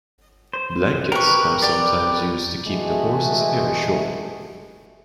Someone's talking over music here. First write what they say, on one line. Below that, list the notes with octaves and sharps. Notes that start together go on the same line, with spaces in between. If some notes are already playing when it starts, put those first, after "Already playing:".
Blankets are sometimes used to keep the horse's hair short.
C5
G4 A#4 B4 C#6
G4 D5
E3 G#3 A3 F#4